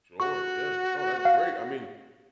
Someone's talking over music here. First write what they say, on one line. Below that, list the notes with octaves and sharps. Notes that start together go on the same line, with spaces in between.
Sure, yeah, no, that's great, I mean,
F#4 C#6
F5